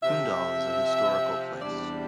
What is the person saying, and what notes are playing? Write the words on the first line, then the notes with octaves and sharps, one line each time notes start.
Kundal is a historical place.
C3 F3 C4 E5
E2 C3 G3 D4 D5